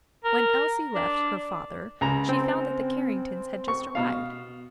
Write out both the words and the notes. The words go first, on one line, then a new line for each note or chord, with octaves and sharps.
When Elsie left her father she found that the Carringtons had just arrived.
A#4
D4
C#2 A#5
C4
C#6
B2 F5